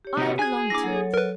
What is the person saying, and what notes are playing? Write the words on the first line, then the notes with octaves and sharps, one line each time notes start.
I belong to it.
G4 C#5
C3 F#4
F#4 G#4 G#5 G#6
A#3 D4 E4 D6 A#6
F#3 A4 C#5
A#4 B4